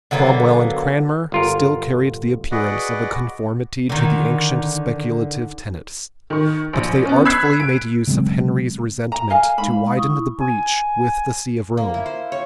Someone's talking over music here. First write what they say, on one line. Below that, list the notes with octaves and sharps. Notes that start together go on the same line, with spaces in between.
Cromwell and Cranmer still carried the appearance of a conformity to the ancient speculative tenets; but they artfully made use of Henry's resentment to widen the breach with the see of Rome.
D3 F#3 A#3 B3
G1 F4 A#4
F#4 G#4 B4 D5 D#5 F#5
D3 D#3
D#3 C#6
A#1
B3 C#4
B5 E6 F#6 G#6 B6 C7
D7
C#3 F#3 G#3 C4
A#5
D#5 F5 G#5
G#3 D#4 F5 B5
E4 C#6 D#6
G#5
A#3
E4
C5
C#5